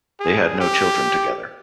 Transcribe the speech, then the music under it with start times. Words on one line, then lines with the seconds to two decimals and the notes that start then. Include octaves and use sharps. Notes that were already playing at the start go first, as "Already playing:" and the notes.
They had no children together.
0.20 G#4
0.60 G4